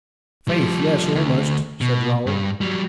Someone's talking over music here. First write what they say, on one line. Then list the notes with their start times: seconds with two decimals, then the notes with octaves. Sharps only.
"Faith, yes, almost," said Raoul.
0.48 F3 G3
1.15 D2
1.81 B2
2.27 G2
2.61 F#3 G3